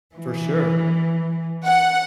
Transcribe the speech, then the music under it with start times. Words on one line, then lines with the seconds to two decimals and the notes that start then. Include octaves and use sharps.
For sure.
0.15 E3
1.65 F#5